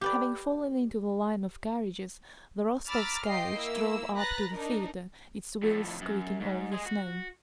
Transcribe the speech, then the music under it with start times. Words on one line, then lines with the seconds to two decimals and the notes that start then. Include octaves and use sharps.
Having fallen into the line of carriages, the Rostovs' carriage drove up to the theater, its wheels squeaking over the snow.
0.01 G4 B4 D5
2.87 A#5 B5 D6 E6 F6 A6
3.24 F4 G4 D#5 G5 C7
3.55 A#3 E4 E6
4.15 B4 A#5 B5 F#6 A6 A#6
4.50 D4 D#4 A#4
5.63 F2 A2
6.01 F#2
6.40 G#2
6.71 G#3 G#4
6.86 F#4